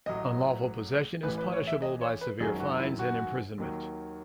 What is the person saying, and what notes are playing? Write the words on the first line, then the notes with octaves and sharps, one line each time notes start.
Unlawful possession is punishable by severe fines and imprisonment.
A1 A2 F#3 D#5
A1 A2 E3 B4
B4
C#5
E5
D#5
C#5
B4
G#1 F#2 D#3 F#3 G#4
F#4
E4
F#4
D#2 D#3 F#3